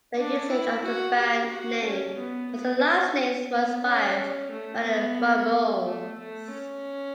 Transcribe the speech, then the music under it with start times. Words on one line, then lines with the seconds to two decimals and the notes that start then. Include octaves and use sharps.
Their usage of the band name as their last names was inspired by the Ramones.
0.18 D4
0.50 E4
0.84 F#4
1.17 G4
1.51 F#4
1.84 C#4
2.17 B3
2.51 B3
2.85 C#4
3.51 B3
3.85 C#4
4.51 A3
4.84 B3
5.85 A3
6.19 A3
6.52 C#4